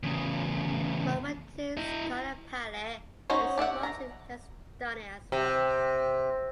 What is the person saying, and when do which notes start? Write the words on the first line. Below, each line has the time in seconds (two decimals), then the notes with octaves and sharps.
Malfatti's color palette is much less stunning as well.
0.03 E2 C#3
1.77 E4 D#5
3.30 F#3 C#4 D#4 F#4 C5
3.58 G4 D5 E5 F#5
3.83 A#5
5.32 C3